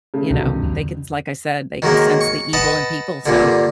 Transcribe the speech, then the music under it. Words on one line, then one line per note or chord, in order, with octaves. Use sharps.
you know, they can s like I said, they can sense the evil in people, so
C#3 A3
C2 G2 B2 D#3 E3 C#4
E2 D3
D#3 F#3 G#3 A#3
C#6
B4 D#5 F#5 A5
G2 A#2 D3